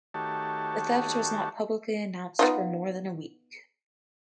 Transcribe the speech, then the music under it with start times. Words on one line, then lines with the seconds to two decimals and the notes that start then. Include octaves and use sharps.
The theft was not publicly announced for more than a week.
0.14 D#3 A3 F#4 G4 C#5 A5
2.39 B3 D#4 F4